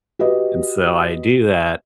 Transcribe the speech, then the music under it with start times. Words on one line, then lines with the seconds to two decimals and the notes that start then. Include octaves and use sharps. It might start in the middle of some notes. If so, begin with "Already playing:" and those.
and so, I do that.
0.19 F#4 G4 B4 D#5